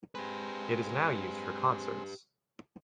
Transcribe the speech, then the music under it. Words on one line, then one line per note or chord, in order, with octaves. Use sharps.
It is now used for concerts.
G#3 C4 G4 B4